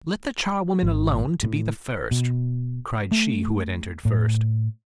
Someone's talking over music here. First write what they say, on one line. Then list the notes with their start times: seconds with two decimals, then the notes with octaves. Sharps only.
"Let the charwoman alone to be the first!" cried she who had entered first.
0.83 G#1
1.43 A2
2.11 B2
3.12 A3
4.05 A2